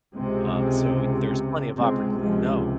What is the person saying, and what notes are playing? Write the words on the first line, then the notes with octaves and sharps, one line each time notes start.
Um, so there's plenty of opport No.
C#2 C3 G#3 C4
C#2 C3 G#3 C4
F3 G#3